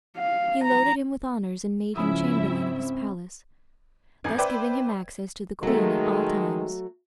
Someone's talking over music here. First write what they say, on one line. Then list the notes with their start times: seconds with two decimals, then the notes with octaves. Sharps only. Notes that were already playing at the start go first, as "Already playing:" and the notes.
He loaded him with honors, and made him chamberlain of his palace, thus giving him access to the queen at all times.
0.17 F5
0.64 A#5
1.96 G#2 C#3 F3 C#4 E4 E5 B5 D#6
2.48 C4
4.24 A1 F2 G#5 G#6
4.38 B4 C5 D5 E5 G5 D6
5.63 D#3 F#3 G#3 A3 A4